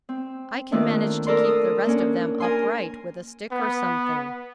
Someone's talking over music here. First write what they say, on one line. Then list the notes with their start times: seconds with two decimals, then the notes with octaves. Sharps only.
"I can manage to keep the rest of them upright with a stick or something."
0.09 C4
0.72 D#3 A3 A#3 D4 F4
1.27 A4 A#4 D5 C6
1.45 D#6
1.86 A#3 C#4 D4
2.40 A#4 G#5 C6
3.52 B3